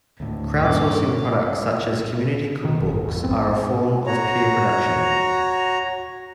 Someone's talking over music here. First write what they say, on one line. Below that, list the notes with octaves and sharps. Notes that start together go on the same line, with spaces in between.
Crowdsourcing products such as community cookbooks are a form of peer production.
D2 A2
G2 A#2 C#4 D6
B2 D#3
F#1
G#1
A1 F2
G#2 B3 C4
F#4 C#5 A#5